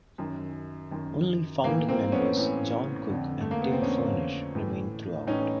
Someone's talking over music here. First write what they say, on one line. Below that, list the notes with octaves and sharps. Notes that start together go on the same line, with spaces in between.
Only founding members Jon Cook and Tim Furnish remained throughout.
F#2 D#3
F#2 D#3
A2 E3 A#3
A#3 C4
B3 C#4
A2 E3
F2 D3
A3
A#3
B3
C4
F2 D3 B3 C#4
A2 E3
A2 E3 C#4 D#4